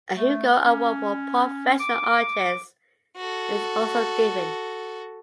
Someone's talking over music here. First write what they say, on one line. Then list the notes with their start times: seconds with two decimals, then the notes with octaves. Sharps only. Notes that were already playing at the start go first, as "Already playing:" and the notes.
A Hugo Award for professional artists is also given.
0.14 A3
0.65 C#4
1.80 D6
3.17 F#4 A4